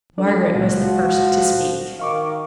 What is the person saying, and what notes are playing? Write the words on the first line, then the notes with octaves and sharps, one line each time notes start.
Margaret was the first to speak.
E2 C#3 D4 A4 D5
C#2 A#2 F3 G#3 F#4
D#3 F5 C#6 D6